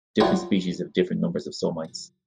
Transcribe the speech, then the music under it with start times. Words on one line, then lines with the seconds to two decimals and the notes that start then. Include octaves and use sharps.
Different species have different numbers of somites.
0.20 F3 G3 C4 E4 F#4 C#5